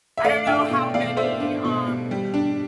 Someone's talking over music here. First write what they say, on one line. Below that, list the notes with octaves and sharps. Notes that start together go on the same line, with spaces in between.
I don't know how many, um
E5
A3 D5 F5
D4 E5 G5
B2
B2 D5 F5
A3 C5 E5
D4
B2
B2
G3
D4